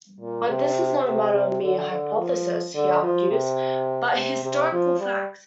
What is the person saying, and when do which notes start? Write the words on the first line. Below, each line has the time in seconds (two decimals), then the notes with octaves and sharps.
But this is not a matter of mere hypothesis, he argues, but historical fact.
0.21 A#2
0.49 C3
1.05 C3
1.34 C3
1.62 D3
1.90 D3
2.18 F3
2.74 D3
3.03 F3
3.31 C3
4.16 C3
4.44 C3
4.72 F3
5.00 G3